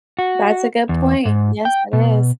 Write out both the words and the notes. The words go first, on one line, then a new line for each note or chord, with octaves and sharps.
That's a good point. Yes, it is.
F#4
E2
G#2
G5
B2